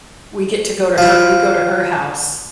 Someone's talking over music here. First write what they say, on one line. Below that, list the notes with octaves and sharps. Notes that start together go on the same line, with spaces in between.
we get to go to her we go to her house.
F3 E4